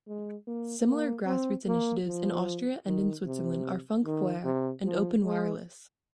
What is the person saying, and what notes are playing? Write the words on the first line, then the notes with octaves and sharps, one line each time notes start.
Similar grassroots initiatives in Austria and in Switzerland are FunkFeuer and Openwireless.
G#3
A#3
A#3
C4
A#3
F3
D#3
C3
D#3
C3
F3
G#3